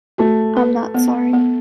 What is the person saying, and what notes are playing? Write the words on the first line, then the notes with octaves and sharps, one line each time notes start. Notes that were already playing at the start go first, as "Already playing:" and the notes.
I’m not sorry.
A3 F#4
B4
B3
B3